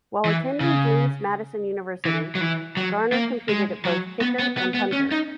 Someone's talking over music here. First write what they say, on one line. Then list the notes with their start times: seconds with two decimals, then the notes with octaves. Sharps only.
While attending James Madison University, Garner competed at both, kicker and punter.
0.25 E3
0.60 C#3
2.05 E3
2.35 F#3
2.41 E3
2.77 F#3
3.12 A#3
3.49 G#3
3.85 F#3
4.21 B3
4.39 B3
4.57 B3
4.74 B3
4.93 C#4
5.11 D#4